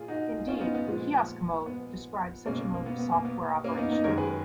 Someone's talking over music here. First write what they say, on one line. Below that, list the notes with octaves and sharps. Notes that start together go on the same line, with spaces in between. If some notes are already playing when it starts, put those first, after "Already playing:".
Indeed, "kiosk mode" describes such a mode of software operation.
Already playing: A#2 F4 G#4
D#4 F#4
C#4 F4
B3 D#4
B3
A#2 F3 G#3
B3
B2 G#3 A#3 C#4
A#3
B3
B3
A#3
B3
A#3 C#4
B3 D#4
B3 D#4
F#2 D#3 G#3 A#4 C#5
G#4 B4